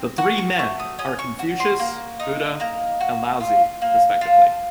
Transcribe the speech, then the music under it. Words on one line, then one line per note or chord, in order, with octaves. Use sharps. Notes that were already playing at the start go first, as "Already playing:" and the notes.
The three men are Confucius, Buddha, and Laozi, respectively.
Already playing: C4
F#4 F#5
C#6
A3 C#6
D#6
C#4 D#6
C#6
F#4
C6
A#3
D#4
A#3 A#5
F#4
F4
A#3
F4 A5